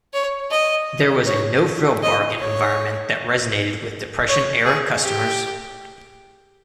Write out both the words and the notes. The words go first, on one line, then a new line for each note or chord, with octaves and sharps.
There was a no frill bargain environment that resonated with depression era customers.
C#5
D#5
C#5
D#5
C#5
C#5
G#4
G4